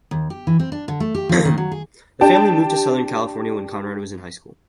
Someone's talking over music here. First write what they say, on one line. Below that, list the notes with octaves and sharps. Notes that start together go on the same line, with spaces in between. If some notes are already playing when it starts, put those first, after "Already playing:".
The family moved to Southern California when Conrad was in high school.
D#2
G4
E3
C4
D4
D3
A3
G4
F3
D#3
F#3
G#4
D4 G4 G5 A5